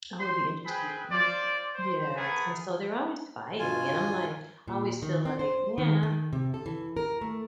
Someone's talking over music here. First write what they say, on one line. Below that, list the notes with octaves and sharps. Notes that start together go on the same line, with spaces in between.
I would be interested interested yeah, and so they're always fighting, and I'm like I always feel like, "Man, I"
C5 C6
C4 G#4 B4 G5 B5
F4 C5 D5
C5
A3 B3 G#4 A#4 B4
G2 B2 F4 G#5
A#2
D#3
C4
C5
D#3
D#3
C3
A4
E3
A#4
A3